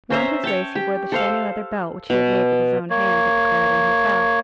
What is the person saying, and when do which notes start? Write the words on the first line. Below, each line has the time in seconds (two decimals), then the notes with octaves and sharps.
Round his waist he wore the chamois-leather belt which he had made with his own hands at the Clarendon Hotel.
0.10 C#4 C5 E5 A#5
0.44 C#5 G5 A5
0.75 G4
1.12 A4 C5 F5
2.10 B2
2.90 A#3 C#5